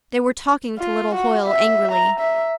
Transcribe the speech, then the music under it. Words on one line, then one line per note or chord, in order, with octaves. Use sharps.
They were talking to little Hoyle angrily.
F4
F#4
E5
A#5
E5